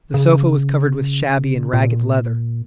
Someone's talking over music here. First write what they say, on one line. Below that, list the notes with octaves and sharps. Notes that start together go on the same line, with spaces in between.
The sofa was covered with shabby and ragged leather.
C#3
A#2